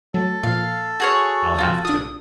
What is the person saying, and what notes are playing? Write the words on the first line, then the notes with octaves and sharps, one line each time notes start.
I'll have to.
F#3 A3 A4
A#2 F3 F5
F#4 G#4 C#5 G#5 E6 F6
F3 F4 F#4 F5
D4 F4 D#6